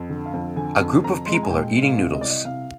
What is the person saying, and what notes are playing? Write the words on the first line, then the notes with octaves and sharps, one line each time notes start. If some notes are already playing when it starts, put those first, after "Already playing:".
A group of people are eating noddles.
Already playing: F2
D3
F5
F2
D3 G#5
F2
F2 A#5
G#3 C6
A#5
G#5
A#2 G5
G#3
F5
C2
D#5
C2 D5
D#5
C2 F5